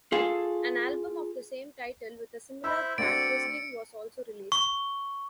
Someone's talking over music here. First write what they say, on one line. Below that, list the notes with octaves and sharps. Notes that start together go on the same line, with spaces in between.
An album of the same title with a similar track listing was also released.
F4 G#4 A4
E4 C5 E5 B5 E6
A3 C4 D4 F#4 D5 C#7 D7
C#6